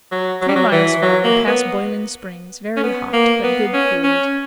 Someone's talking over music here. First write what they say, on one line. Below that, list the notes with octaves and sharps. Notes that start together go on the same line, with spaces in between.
Three miles farther pass boiling springs, very hot, but good cooled.
F#3
F#3
G3
F#3
E3
F#3
A#3
B3
C#4
B3
A#3
B3
C#4
C#4